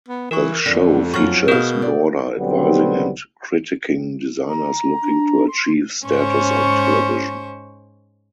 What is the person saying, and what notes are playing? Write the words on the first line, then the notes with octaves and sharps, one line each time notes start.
The show features Gorder advising and critiquing designers looking to achieve status on television.
B3
E3 A#4 C#6
F2 D3
F#2 F3 F#3 C#6 F6
B2 G#4 A#4 D#5 F5 G6
D5
B1 D3 F#3 G3 B3 C4
A#5
D4
C6
G#2 C#4 C5 C#6